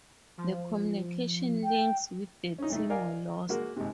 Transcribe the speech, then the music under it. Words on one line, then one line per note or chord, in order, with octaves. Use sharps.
The communication links with the team were lost.
F3
G5
C#4 D#4
G2 A3 D#4
A#4 D5 D#5 F5 G#5
G#3 A#3 F#4 A#4
G#1 C3